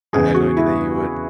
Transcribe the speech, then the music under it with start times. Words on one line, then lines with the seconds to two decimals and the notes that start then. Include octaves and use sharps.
I I had no idea that you would
0.13 E2 C#3 E3 G#4
0.34 F#4
0.57 E4